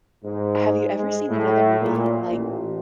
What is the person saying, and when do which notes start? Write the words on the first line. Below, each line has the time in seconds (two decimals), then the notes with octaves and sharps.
have you ever seen another movie like
0.23 G#2
0.97 G#3
1.29 A2
1.81 A#2
2.28 A1